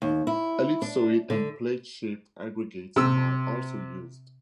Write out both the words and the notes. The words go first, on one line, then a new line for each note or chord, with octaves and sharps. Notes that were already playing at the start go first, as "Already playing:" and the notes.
Ellipsoid and plate-shaped aggregates are also used.
D#2
E4
D4
D3
C3 E6